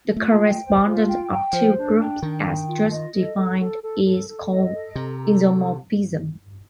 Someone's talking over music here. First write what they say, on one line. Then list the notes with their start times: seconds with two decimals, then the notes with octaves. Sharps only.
The correspondence of two groups as just defined is called isomorphism.
0.16 A3 F4
0.40 G5
0.62 C5
0.85 F4
1.08 G5
1.31 G5
1.53 F3 C5
1.76 D4
1.99 G5
2.22 D#3 D4
2.44 G5
2.67 F4
2.90 D#5
3.14 A4
3.36 A4
3.58 A4
3.82 A4
4.04 A4
4.28 A4
4.51 D#5
4.74 A4
4.95 C3 A#5
5.19 A4